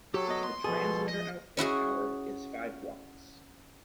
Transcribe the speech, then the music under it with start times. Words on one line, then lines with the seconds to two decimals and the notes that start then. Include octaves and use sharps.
The transmitter output power is five watts.
0.14 F#3 G4 A4
0.28 B3 D#5
0.43 C6
0.64 B2 F3 G#4 A4
1.08 D#5
1.57 C#4 E4 F#4 G#4